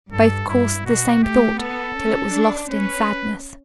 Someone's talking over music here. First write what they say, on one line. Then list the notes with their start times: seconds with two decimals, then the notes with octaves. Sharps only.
Both coursed the same thought till it was lost in sadness.
0.12 G2 A4
0.49 G2 E4
0.86 B2 F#4
1.22 A3 G4
1.59 B3 A4
1.97 C#4
2.33 D4
2.70 C#4 B4